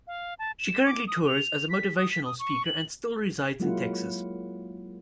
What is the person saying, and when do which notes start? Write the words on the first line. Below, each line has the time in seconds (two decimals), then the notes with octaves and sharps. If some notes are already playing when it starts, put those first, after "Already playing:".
She currently tours as a motivational speaker and still resides in Texas.
0.07 F5
0.39 A5
0.59 E7
0.86 D6
1.08 D#6
1.26 F7
1.70 B6
1.96 D#6
2.11 B6
2.25 D#6
2.39 C#6
2.65 F#7
3.60 F#3 G#3 A#3 E4 F4 F#5